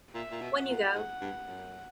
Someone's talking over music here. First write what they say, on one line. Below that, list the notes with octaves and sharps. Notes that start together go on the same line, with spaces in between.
When You Go!
A#2 E5
A#2
B2
F#5
A#2
G#2
G2
F#2